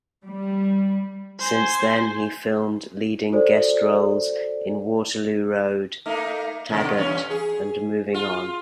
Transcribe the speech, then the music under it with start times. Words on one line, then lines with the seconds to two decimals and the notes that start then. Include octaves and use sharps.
Since then he filmed leading guest roles in "Waterloo Road", "Taggart" and "Moving On".
0.24 G3
1.40 C5 G#5
3.32 F#4 A4 C5 D5
6.06 A3 A#3 D#4
6.70 B2 D3 D#3
6.97 E2 G2 C#4
7.30 G#4
8.14 F4